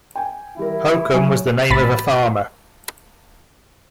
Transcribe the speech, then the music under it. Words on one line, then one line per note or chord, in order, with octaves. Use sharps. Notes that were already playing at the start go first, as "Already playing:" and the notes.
Holcomb was the name of a farmer.
G5 G#5
E3 G3 E4 A#4
F#3 G#5
A1 B5 A6